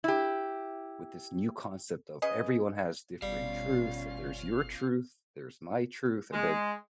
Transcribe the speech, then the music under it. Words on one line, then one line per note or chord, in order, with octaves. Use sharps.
with this new concept of, "Everyone has different truths, there's your truth. There's my truth," and then,
E4 G4
C#3 G#4 B4 D#5
G1 B2 G3 C#4 F4 F5
G#3